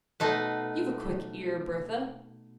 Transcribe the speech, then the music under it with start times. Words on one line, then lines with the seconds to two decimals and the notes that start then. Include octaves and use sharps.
You've a quick ear, Bertha.
0.20 B2 A3 D#4 B4